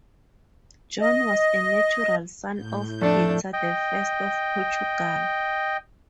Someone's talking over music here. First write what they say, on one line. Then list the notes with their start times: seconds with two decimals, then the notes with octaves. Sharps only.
John was a natural son of Peter the First of Portugal.
1.00 D#5
2.53 A2 G6
3.01 F2 A3 D4 A4
3.53 D#5 G5